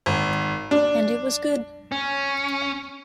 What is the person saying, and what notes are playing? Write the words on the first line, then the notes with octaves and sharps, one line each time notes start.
And it was good.
G#1
D4
C#4